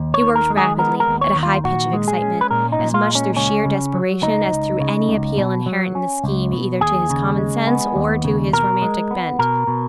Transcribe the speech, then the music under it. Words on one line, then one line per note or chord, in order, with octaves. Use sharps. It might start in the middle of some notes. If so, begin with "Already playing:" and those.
He worked rapidly, at a high pitch of excitement--as much through sheer desperation as through any appeal inherent in the scheme either to his common-sense or to his romantic bent.
Already playing: D#2
C#5
D#3
A#4
G#3
G#4
B3 A#4
A#4
D#2
C#5
D#3
F4
A#2 F#4
G#3
G#4
C#4
B4
A#2 A#4
D#4
A#2
F4
G#3
C#4
C#2 C#4
C#3
F#3
C#2 D#4
C#2
C#3
C#2
B2
F#3
C#4
C#2
B2
D#2 G#4
C#3
G#3
B3
D#2
C#3
B2 A#4
G#3
B3
B2 A#4
B2